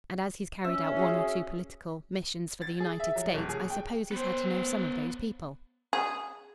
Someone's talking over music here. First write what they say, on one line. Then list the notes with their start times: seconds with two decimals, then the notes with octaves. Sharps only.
And as he's carried out one or two political missions for the United States, I suppose he's had to know some of these people.
0.64 C#4 E5
0.96 F#4 G#4
2.62 A6
2.80 G#4
3.00 E5
3.16 F#3
3.34 D#1
3.49 G#4
3.70 G5
4.12 B3 C5
5.93 G#4